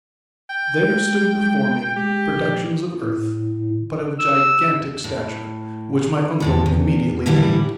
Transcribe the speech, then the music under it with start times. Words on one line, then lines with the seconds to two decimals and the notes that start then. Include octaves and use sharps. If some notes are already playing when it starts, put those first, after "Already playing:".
There stood before me productions of earth, but of gigantic stature, which my uncle immediately named.
0.50 G5
0.82 G#3
1.96 G#3 G4
2.33 A#1
3.01 A2
4.19 E6
5.04 A2
6.40 E2 A2 A4
6.66 E2
7.26 A2 D3 E3 G3 D4 E4